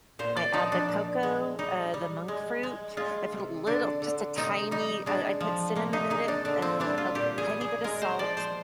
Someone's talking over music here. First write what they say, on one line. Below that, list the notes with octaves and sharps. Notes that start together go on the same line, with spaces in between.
I add the cocoa, uh, the monk fruit. I put a little just a tiny I I put cinnamon in it, uh, a tiny bit of salt.
A#2 C5
D5
F3 D#4
D4
A#2
G#3
G3 D#4
G3
G#3
G#3
G#3 F4
C3
D3 D4
D3
C3 D#4
G3 D#4
G#3 D4
F3
C3 A#3
D#4
G#3 D#4
D4
D3 D4
C4
G3 D4
F4
A#2 G4
G#4
G3
G#4
G#3 A#4
C5
F3 D5
C5